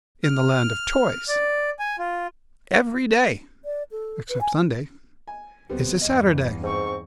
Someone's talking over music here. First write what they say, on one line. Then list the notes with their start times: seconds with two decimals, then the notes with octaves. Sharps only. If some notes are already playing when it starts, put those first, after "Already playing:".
In the Land of Toys, every day, except Sunday, is a Saturday.
0.24 F6
1.28 D5
1.79 G#5
1.99 F4
3.65 D5
3.91 A4
4.29 B4
4.41 G#5
5.27 G#5
5.69 D2 G3 B3 C4
6.01 E2 G2 D#5
6.64 G#2 C4 C#6